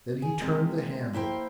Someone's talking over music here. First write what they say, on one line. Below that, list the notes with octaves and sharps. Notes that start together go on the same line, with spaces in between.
Then he turned the handle.
G#4
C3 G#3 A#3
A#3 E4 C5 G5